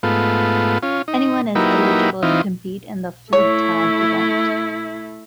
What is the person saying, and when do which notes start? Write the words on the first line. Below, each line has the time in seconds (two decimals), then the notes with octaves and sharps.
Anyone is eligible to compete in the Flugtag event.
0.03 G#2 A3 B3 F4
0.83 C#4 F4
1.08 D#4
1.55 F#3 A#3 D#4 E4 G4 B4
2.23 E3 C4 D#4 F4
3.33 A3 E4 C#5